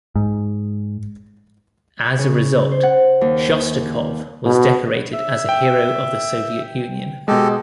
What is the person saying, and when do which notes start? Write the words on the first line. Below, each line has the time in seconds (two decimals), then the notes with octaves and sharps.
As a result, Shostakov was decorated as a hero of the Soviet Union.
0.16 G#2
2.19 C#3
2.72 C5
2.83 F#5
3.21 D#2
4.46 B2
5.13 E5
5.49 G5
7.28 B2 G#3 G4 A4 D#5